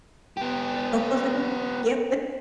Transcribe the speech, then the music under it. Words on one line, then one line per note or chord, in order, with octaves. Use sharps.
Ye "Go close that door." Yep.
B3 G4